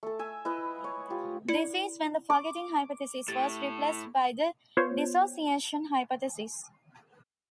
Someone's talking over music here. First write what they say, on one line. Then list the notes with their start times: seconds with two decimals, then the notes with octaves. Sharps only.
This is when the forgetting hypothesis was replaced by the dissociation hypothesis.
0.03 A3 A4
0.19 E5 G#5
0.45 E4 B4 D#5
0.84 C#5
1.10 F4 G4
1.49 E4 D5 C#7
2.30 D6
3.28 A2 G4 A6 E7
4.77 B3 F4 C5 C#5